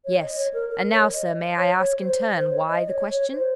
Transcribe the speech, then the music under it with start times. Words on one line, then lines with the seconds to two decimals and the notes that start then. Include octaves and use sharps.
"Yes; and now, sir, may I ask in turn why the question?"
0.05 C#5
0.20 D#5
0.36 C#5
0.54 A#4
0.69 A#4
0.91 C#5
1.13 D#5
1.57 C#5
1.79 C#5
2.01 C5
2.33 C5
2.50 C#5
2.67 D#5
2.84 D#5
2.88 C#5
3.10 C#5
3.32 C5